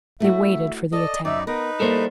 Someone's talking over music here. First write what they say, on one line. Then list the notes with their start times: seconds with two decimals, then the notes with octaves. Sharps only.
They waited for the attack.
0.20 A3 E4 F#4 E5
0.92 A4 D5 D#5
1.25 F#2 D#4 D5 E5
1.47 B3 D#4 A#4 B4
1.80 G3 A#3 E4 A4 A#4 C5 D5